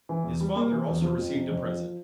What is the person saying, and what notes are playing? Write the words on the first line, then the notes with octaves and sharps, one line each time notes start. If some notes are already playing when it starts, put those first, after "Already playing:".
His father also received a present.
E3
E2
G3
A#3
E3
E2
F3
F2
C3
F2
F3